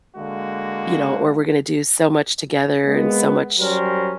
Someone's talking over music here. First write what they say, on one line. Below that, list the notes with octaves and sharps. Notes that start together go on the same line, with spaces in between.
you know, or we're gonna do so much together, and so much
D3 G#3 A#3 F#4
G#3 A#3 B3
F#3 G3 C#4 A#4 C5